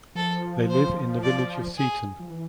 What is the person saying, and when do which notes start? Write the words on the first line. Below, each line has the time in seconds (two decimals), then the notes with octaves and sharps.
They live in the village of Seaton.
0.15 F3 A4
0.70 C5
1.23 D5
1.77 G#4
2.20 F3
2.30 E3